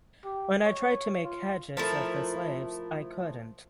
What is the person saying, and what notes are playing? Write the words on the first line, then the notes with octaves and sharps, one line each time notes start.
When I tried to make hedges of the slaves, I couldn't.
G4
C#5
F4
F3 A3 E4 A#4